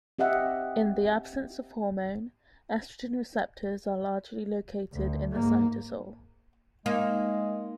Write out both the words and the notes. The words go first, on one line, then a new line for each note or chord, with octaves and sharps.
In the absence of hormone, estrogen receptors are largely located in the cytosol.
C4 G4 D#5 E5 F#5
D2
G#2 A#3
G#3 A#3 D#4